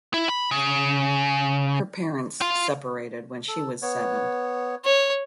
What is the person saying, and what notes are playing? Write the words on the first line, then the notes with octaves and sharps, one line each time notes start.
Her parents separated when she was seven.
E4
B5
C#3
F4
A4
B3 C#5
C#5